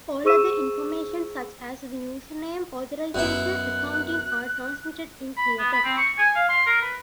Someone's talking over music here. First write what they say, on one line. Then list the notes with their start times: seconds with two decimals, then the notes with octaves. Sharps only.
All other information such as the username, authorization, accounting are transmitted in clear text.
0.24 G#4 C5 C#6 E6 D#7 E7
3.14 F#2 B2 E4 F#6
5.37 B5
5.59 B3
5.73 B5
5.85 C4
5.97 C#6
6.18 G#5
6.36 F5
6.49 C6
6.66 A#4
6.82 B4